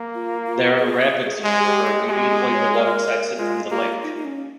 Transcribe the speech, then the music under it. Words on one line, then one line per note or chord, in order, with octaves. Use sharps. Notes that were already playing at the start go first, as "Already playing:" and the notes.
There are rapids in the river immediately below its exit from the lake.
Already playing: A#3
F4
F4
G#4
G#3 G#4
G4
G#4
G#3 G4
G4
C#5
A#4
G#3 F4
A#3 F4
D#4
D#4
C#4